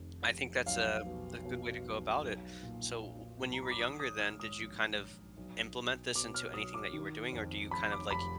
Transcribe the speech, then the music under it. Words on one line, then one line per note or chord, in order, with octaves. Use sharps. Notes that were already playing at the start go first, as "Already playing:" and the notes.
I think that's a a good way to go about it. So, when you were younger then, did you kind of, implement this into anything that you were doing, or do you kind of, like,
Already playing: F1 F2 D#3
F1
B1 F5
B2
B2
B1
B1
A#2
A#2
B1
A#5
B5
D6
D#3 D#6
D#6
G#2 F6
D#6
A#1
A#1
B1
B2
B2 D6
F6
B1 D#6
D6
D#3
F2
F1 B5
D6
F1 B5